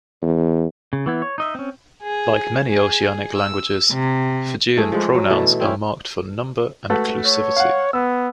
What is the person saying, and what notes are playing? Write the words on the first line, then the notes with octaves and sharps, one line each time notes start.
Like many Oceanic languages, Fijian pronouns are marked for number and clusivity.
E2
C#3
E3 B3 E4
C#5
D#4 D#5 E5
C4 C#4
G#4
G#4
E6
C3
E3 A3 G#4
F3 G#3
F#3
B2 E3 A3 B3
E4
C4 C#4 E4
A3 F#4 B4
C#5
F5 F#5
B3 E6